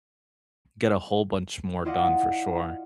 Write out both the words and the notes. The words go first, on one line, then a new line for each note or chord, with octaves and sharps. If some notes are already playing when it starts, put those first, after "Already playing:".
get a whole bunch more done for sure,
E4 F4 D5 D#5 F5 F#5